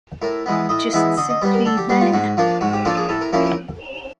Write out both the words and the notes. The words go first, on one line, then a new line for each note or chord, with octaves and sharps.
Just simply 'there.'.
A2 A#4
E3 G#3 B3
A2 D#5
E3 G#3 B3 E5
D3 D#5
D#5
G3 B3 C5
A#4
D3 A4
G4
G3 B3 F#4
F4
G#2 F#4
F3 A#3 D4 F4
G#2 F#4
G4
F3 A#3 D4 F4 A4
G#4
A2 A4
A#4
F3 A#3 C#4 E4 A#4
A#4